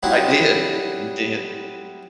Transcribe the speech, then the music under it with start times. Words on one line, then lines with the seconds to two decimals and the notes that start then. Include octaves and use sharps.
I did. Mm did.
0.03 F#3 G3 C4 D#4 E4 F#4